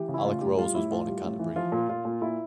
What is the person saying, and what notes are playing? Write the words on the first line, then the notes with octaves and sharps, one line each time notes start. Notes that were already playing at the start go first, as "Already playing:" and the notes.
Alec Rose was born in Canterbury.
Already playing: E3 G4
C#3
E4
A2 F4
A2 G4
G3 F4
A2 E4
A2 F4
G3
A2
E3
F3 F4
A#2
A#2 F4
A#2
A#2 E4